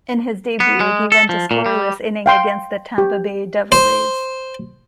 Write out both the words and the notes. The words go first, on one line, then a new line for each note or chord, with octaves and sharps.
In his debut, he went a scoreless inning against the Tampa Bay Devil Rays.
B3
G#3
A4
F3
A#2
G3
F5 G5 C6
G4
C5